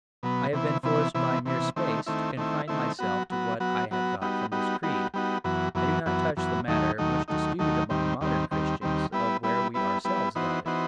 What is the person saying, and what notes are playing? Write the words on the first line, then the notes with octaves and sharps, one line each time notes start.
I have been forced by mere space to confine myself to what I have got from this creed; I do not touch the matter much disputed among modern Christians, of where we ourselves got it.
B2 F#3 B3
C3 E3 B3 E4
C3 E3 B3 E4
C3 E3 B3 E4
C3 E3 B3 E4
D#3 A3 C4 E4
D#3 A3 C4 E4
D#3 A3 C4 E4
D#3 A3 C4 E4
F#3 B3 F#4
F#3 B3 F#4
F#3 B3 F#4
F#3 B3 F#4
G3 B3 D#4 F#4
G3 B3 D#4 F#4
G3 B3 D#4 F#4
G3 B3 D#4 F#4
F#2 E3 B3 F#4
F#2 E3 B3 F#4
F#2 E3 B3 F#4
F#2 E3 B3 F#4
D#2 D#3 F#3 A3 D#4
D#2 D#3 F#3 A3 D#4
D#2 D#3 F#3 A3 D#4
D#2 D#3 F#3 A3 D#4
D#2 D#3 G3 C4
D#2 D#3 G3 C4
D#2 D#3 G3 C4
D#2 D#3 G3 C4
G3 B3 E4 B4
G3 B3 E4 B4
G3 B3 E4 B4
G3 B3 E4 B4
E3 B3 D#4 F#4 C5
E3 B3 D#4 F#4 C5